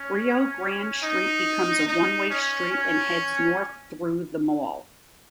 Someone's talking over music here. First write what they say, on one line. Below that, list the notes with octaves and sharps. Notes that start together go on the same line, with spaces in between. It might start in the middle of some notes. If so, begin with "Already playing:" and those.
Rio Grande Street becomes a one-way street and heads north through the mall.
Already playing: C#4
D#4
D#4
C#4
C#4